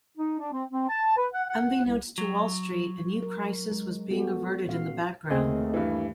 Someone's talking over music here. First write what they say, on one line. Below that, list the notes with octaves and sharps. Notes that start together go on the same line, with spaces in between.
Unbeknownst to Wall Street, a new crisis was being averted in the background.
D#4
D4
C4
C4
A5
B4
F#5
F#5
C2
F#3
A#4
G#3
B3 F#4 A4
A#2 C#4 F5
D#2 A3 C4 G#4 D#5
G2 E3